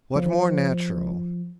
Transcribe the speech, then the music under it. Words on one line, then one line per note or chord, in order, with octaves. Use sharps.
What more natural!
F3